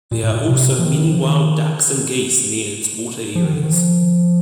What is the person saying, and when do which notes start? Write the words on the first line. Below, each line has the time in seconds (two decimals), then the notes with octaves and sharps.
There are also many wild ducks and geese near its water areas.
0.11 A#2
0.23 A2
0.35 A#2
0.47 C3
0.79 F3
0.84 D#3
1.11 F3
1.20 D#3
3.35 F3
3.44 D#3
3.53 D3
3.63 D#3
3.72 F3